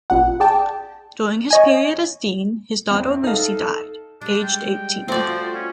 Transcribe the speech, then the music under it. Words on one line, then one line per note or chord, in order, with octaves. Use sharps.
During his period as dean his daughter Lucy died, aged eighteen.
A1 A#2 F#5
G#4 D5 G5 A5
C#5 D#5 G#5
E2 C4
D#4 A4 F5
G3 G#3 D4
G5
F3 A3 C4 F4 F#4 C5 D5
C#4